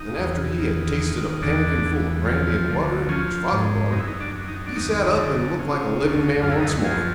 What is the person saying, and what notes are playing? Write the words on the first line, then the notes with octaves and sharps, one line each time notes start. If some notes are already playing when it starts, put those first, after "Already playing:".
And after he had tasted a pannikin full of brandy and water, which father brought him, he sat up and looked like a living man once more.
Already playing: D#4
E2
D#3
D#3
E2 D4
E2
F3
D2
F3 C#4
G#2
F#2 D#4
E4
D#4
D4
F#2
D#4
D4
D#2 D#4
D3
C#3
D2
F#2 F4
E4
D#4
E4
F3 G#4